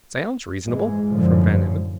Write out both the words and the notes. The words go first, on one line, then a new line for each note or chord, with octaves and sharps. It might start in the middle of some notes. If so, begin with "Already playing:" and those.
"Sounds reasonable," from Van Emmon.
G#2 E3 G#3
F#2 A2 D3 F3